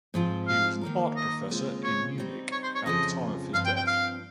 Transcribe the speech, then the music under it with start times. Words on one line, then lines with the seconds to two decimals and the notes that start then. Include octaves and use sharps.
He was an art professor in Munich at the time of his death.
0.14 G#2 F3 C4 F4
0.48 F5
0.81 D#3 A#3 D#4 A#4
1.16 D#5
1.50 D#2 C#3 G#3 C4 F4
1.83 C#5
2.18 G3 C4 D#4
2.52 C#5
2.63 C5
2.75 C#5
2.85 F2 C#3 F3 D#5
3.54 G2 F3 C4 F5
3.65 G5
3.76 G5
3.87 F5